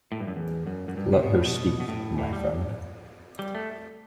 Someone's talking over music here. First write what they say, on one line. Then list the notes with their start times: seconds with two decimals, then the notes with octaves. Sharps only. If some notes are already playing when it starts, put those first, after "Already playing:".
Let her speak, my friend.
0.12 A2
0.20 G2
0.27 F#2
0.36 E2
0.67 F#2
0.88 F#2
0.97 G2
1.13 C3
1.23 B2
1.35 A2
1.45 B2
1.80 B2
1.88 A2
2.18 A2
2.33 G3
3.39 G3
3.55 A3